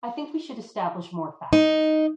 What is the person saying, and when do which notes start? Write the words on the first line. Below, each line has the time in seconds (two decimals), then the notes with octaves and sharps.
I think we should establish more facts.
1.53 D#4